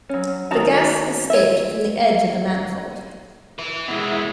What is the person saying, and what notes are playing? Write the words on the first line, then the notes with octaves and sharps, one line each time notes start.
The gas escaped from the edge of the manifold.
F#3 C#4
D#3 C#4 F#4 A5 A#5
C#5 E5
E4 B4
B2 G#3 E4